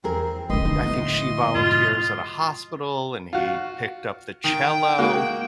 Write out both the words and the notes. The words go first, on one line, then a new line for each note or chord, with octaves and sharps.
I think she volunteers at a hospital and he picked up the cello.
E2 C4 G#4 A#4
F2 D4 B4 D#5 C6
D3 F3 D#4
A2 B3
G#2 B2 F4
F4 F#4
D#3 G5
G#3 A#3 F#4